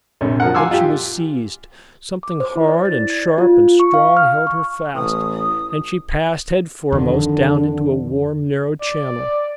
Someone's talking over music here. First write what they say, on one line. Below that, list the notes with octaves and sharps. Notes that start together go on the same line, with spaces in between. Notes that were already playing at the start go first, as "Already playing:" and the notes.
Then she was seized, something hard and sharp and strong held her fast, and she passed head foremost down into a warm, narrow channel.
A#1 C3 C#4
F3 A#4 F#5
F5 G#5 C6 D6 E6
F4 G4
D6
C5
E4
D5
A6
G#6
F4
C#6
F5
F6
C#6
A1 D#6
F2 D3 D#3
D5